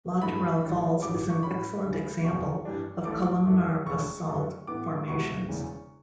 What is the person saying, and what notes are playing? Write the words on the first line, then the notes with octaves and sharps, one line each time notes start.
Latourell Falls is an excellent example of columnar basalt formations.
G2 E3 A3 B5
A1 A2 E3
A1 G2 F#3 D6
D6
C#6
A2 F#3 C#4 E4 B5
D2 C#3 G3
F#1 E2 B2 C#6
G2 E3 G3 D4
A1 A2 E3 A3 D6
F#2 E3 A3
E1 D2 D3 C#6
F#2 D3 A3
A2 E3 B3 D6
C#2 B2 G3 B3 E4 C#6
E1 E2 C#3 E3